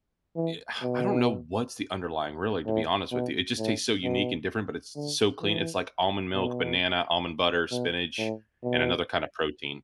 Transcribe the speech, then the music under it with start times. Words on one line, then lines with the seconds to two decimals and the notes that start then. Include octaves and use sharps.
yeah, I don't know what's the underlying, really, to be honest with you, it just tastes so unique and different, but it's s so clean, it's like almond milk, banana, almond butter, spinach, and another kinda protein,
0.36 E3
0.83 B2
2.66 A2
3.12 B2
3.59 A2
4.04 B2
4.96 D3
5.41 E3
6.34 B2
7.71 B2
8.18 A2
8.64 B2